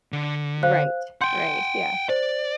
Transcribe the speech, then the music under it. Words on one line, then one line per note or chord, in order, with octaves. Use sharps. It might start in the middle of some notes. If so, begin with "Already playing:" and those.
Right, right, yeah.
D3
C5 F5 F#6
F#5 G5 C6 G6
C5 D5